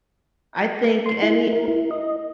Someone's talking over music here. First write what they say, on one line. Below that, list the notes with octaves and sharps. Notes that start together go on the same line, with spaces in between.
I think any
C6
E4
A#4
E4
D#5